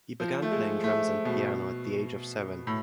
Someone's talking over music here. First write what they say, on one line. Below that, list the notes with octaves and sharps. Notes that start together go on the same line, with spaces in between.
He began playing drums and piano at the age of seven.
F3
A3
G#3
A3
B2
A2